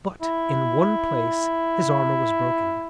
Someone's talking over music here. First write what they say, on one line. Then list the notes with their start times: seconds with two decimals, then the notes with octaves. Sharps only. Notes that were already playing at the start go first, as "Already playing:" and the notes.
But in one place his armor was broken.
0.22 E4